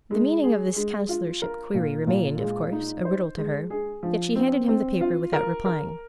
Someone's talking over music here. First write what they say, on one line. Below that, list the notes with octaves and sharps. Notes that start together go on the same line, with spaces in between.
The meaning of this councillorship query remained, of course, a riddle to her, yet she handed him the paper without replying.
G#3
G#4
G#3
F4
A#4
A#2
A#2
G#3
D#4
C5
G#3
G#4
F3
C4
C4
F4
A#4
A#4